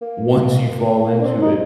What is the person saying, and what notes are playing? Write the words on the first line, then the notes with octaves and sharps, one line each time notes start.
once you fall into it,
A#3
A#3
D4
C4
D#4